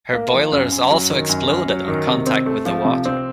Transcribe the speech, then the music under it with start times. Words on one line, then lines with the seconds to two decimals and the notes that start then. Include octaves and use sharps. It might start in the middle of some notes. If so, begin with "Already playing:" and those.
Her boilers also exploded on contact with the water.
0.13 A#3
0.33 F3
0.52 F#2
0.72 F#2
0.91 F#3
1.10 D#3
1.29 F#2
1.49 F#2
1.69 F#3
1.88 D#3
2.07 C3
2.27 C4
2.46 A3
2.66 F3
2.85 C3
3.05 C4